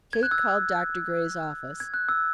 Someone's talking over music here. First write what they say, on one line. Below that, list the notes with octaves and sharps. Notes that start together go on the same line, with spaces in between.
Kate called Dr. Gray's office.
G#6
F#6
E6 G#6
G#6
F#6
E6